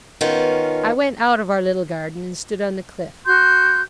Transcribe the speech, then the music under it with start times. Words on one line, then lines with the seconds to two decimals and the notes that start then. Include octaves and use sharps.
I went out of our little garden, and stood on the cliff.
0.21 D#3 B3 C#4 F4
3.25 F#4 C6 G6